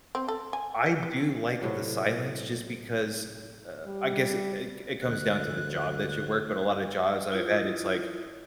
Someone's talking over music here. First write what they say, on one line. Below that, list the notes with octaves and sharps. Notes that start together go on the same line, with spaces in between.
I do like the silence just because, uh, I guess it c it comes down to the job that you work, but a lot of jobs that I've had, it's like
C4
A4
G#5
G4
G4
A2 C3 F#3
G3
D2 F#6
E4 F4 D#6